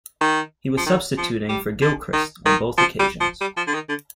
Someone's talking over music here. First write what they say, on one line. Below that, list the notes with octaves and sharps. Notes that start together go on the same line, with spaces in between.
He was substituting for Gilchrist on both occasions.
D#3
F3
D#3
F3
G3
D3
D#3
D#3
F3
G3
F3
G3
F3
D3
D#3
D3